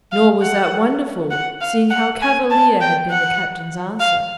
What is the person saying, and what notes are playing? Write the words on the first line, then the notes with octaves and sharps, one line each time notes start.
Nor was that wonderful, seeing how cavalier had been the captain's answer.
F5
F#5
F#5
F5
F#5
G#5
A5
G5
F#5
F5